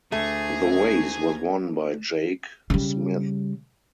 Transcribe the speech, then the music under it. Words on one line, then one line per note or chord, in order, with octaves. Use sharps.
The race was won by Jake Smith.
D2 A3 G#4 A#5 G#6
C#3 G3